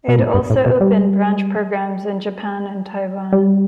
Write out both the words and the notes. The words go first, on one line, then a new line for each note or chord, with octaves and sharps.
It also opened branch programs in Japan and Taiwan.
B2
A2
G2
A2
B2
G3
G3